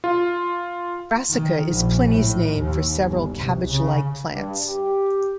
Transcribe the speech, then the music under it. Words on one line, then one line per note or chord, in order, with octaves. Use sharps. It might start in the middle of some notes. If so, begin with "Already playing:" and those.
'Brassica' is Pliny's name for several cabbage-like plants.
F4
D#3
A#1
A2
D#2
G1
C2
C#3
G2
G4